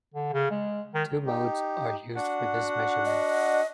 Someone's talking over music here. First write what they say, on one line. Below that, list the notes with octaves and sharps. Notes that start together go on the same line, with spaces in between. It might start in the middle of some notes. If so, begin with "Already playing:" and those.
Two modes are used for this measurement.
D3
C#3
G#3
D#3
D#4 G4
D4 F#4 F#5
D#5